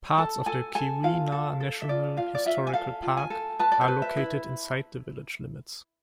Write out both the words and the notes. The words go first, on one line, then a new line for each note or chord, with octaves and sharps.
Parts of the Keweenaw National Historical Park are located inside the village limits.
A4 A5
A4 G#5
A4 G#5
F4 F5
A4
A4
E5
F4 D5
F4 F5
D5
F4 E5
G#5
A4 F5
F4
G#5
A4
B4 A5
D5
C5
B4
E5
E4